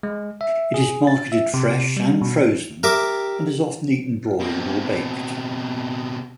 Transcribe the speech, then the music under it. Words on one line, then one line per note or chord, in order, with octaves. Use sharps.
It is marketed fresh and frozen and is often eaten broiled or baked.
G#3
E5
G#4
A6
E5
C3
G3
B2
G4 A#4 E5 D6
B2 C4